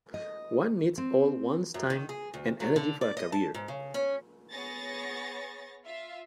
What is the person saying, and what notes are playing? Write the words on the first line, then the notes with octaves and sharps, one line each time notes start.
One needs all one's time and energy for a career.
D#5
C4
F#2
D#3
G#4
D2
F#3
D3
D5
D#5
A5
G#2
C#3
C#4
B3 G#4 C#5 C#6 A6 A#6
F4 E5 F5